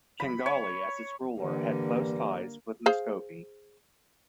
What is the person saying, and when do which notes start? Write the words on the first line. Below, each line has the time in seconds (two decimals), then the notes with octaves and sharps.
Canghali as its ruler had close ties with Muscovy.
0.20 B5
0.46 C#5
1.40 D3 E3 G3 A#3
2.86 G#4 C5 F5